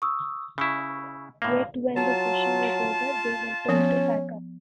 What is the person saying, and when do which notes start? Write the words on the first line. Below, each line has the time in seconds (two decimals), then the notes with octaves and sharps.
Yet when the session was over, they were told to pack up.
0.02 C#6 D#6 E6
0.58 C#3 E4 B5 C#6 E6
1.42 A2 A#3 F5
1.96 F#3 F4 A5
3.69 F3 B3 C#4